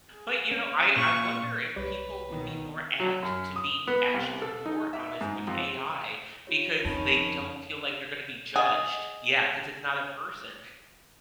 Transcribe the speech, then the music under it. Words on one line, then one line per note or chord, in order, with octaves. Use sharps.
But you know, I I wonder if people would be more apt to be actually more honest with AI because they don't feel like they're gonna be judged. Yeah, 'cause it's not a person.
G#4
C#4
A#2 F4 C#6
C2 G3 B4 C#5
B2 D#3
F#3
F#2
D#6
B3
C2
A4
D#4
E5
G#2
F2
F4 G4 C#5
F2 D#3 C#4 A5 B5
G#4 D#5 F#5